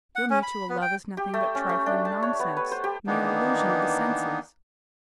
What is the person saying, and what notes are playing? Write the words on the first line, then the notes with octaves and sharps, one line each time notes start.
Your mutual love is nothing but trifling nonsense, mere illusion of the senses.
F#5
C#4
B5
B3
G5
G4
A3
C#4
A3
D4
A5
C#5
B3
B4
C5
G4
D#3 E3 A#3 B3 D4 D#4